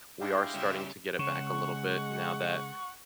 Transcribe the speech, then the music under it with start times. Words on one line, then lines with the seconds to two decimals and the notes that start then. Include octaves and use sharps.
we are starting to get it back a little bit now that
0.21 G#3 D4 E4 G4 D#5 F5 G5
0.55 C#3 G3 E5
1.19 C#3 G#3 F#5 C#6